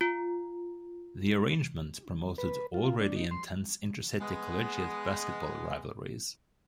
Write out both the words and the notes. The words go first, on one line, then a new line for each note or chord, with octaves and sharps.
The arrangement promoted already intense inter-city collegiate basketball rivalries.
F4
B4
F4
D4
D#4
C6
G#3 B3